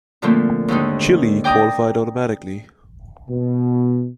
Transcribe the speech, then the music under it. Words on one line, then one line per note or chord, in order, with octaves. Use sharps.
Chile qualified automatically.
A#2 D3 F3 A3 A#3 C4
D#2 G#2 D3 D#4
D5 G5 A#5 D6 D#6
B2